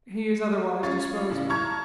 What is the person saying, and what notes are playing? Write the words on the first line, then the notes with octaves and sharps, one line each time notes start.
He is otherwise disposed of.'
C#4 F4 C#6 A6
A2 C#3
A5 A#5 C#6 F6 G#6